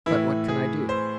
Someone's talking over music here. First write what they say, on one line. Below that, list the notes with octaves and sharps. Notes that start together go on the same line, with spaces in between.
But what can I do?
A2 E3 E4
G#4
C5